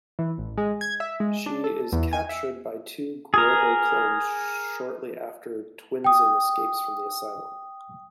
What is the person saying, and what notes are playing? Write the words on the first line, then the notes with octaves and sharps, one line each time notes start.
She is captured by two Grobo clones shortly after Twinsen escapes from the asylum.
E3
A1
G#3
G#6
E5
G#3
D4
A4
E2
G#5
E5
G#4 A#4
G5 D#6